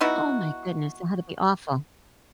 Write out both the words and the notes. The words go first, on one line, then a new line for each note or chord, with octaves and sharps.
Oh my goodness, that had to be awful.
B3 D#4 E4 F#4